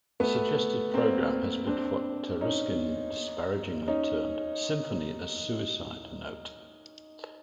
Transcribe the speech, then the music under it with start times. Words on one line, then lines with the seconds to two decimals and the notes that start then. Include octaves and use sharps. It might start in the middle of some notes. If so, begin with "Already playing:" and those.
A suggested program has been what Taruskin disparagingly termed symphony as suicide note.
0.20 A3 B3
0.94 A#3 C4
1.67 C4 D4
2.41 C#4 D#4
3.88 C#4 D#4